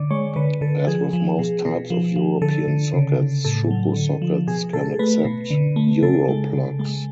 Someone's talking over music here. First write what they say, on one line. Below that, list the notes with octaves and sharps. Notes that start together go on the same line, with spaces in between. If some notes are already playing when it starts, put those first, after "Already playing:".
As with most types of European sockets, Schuko sockets can accept Europlugs.
Already playing: D3 D5
G#3 C#5
D3 B4
D3 A4
F3 G#4
F3
B2
B2
F3
F3
D3 A4
D3
C#3
C#3
A2 A4
F#3
D3
F3
B2 G#4
B2 A4
A3 B4
B2
D3
A3
C#3 A4
G#3
C#3
G#3